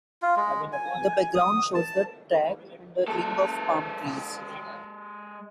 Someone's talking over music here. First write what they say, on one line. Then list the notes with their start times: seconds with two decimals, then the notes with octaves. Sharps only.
The background shows the track and a ring of palm trees.
0.22 F4
0.36 G#3
0.73 G#5
1.35 D#6
1.75 A5
3.08 G#3 A4